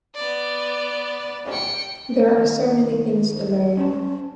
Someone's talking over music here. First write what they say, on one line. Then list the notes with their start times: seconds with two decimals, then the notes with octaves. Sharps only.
There are so many things to learn.
0.15 B3 D5
1.51 G5 C#7
2.38 D#3 A#4
3.77 C#4 C5 A5